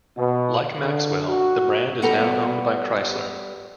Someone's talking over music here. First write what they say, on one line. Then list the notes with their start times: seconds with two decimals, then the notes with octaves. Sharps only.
Like Maxwell, the brand is now owned by Chrysler.
0.17 B2
0.81 D3
1.27 F#4
2.02 G3 B3 A4 A#5